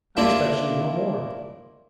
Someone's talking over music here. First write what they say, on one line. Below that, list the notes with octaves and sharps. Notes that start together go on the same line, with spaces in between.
"I expect she is no more."
A#3 D4 E4 F4